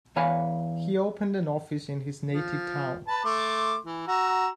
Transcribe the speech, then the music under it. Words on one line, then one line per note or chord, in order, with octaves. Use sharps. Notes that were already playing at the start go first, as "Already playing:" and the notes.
He opened an office in his native town.
E2 E3 C#5 F5 G#5 B5
F3
B4 A5
A3 C6 D6
E3
F#4 A#5 E6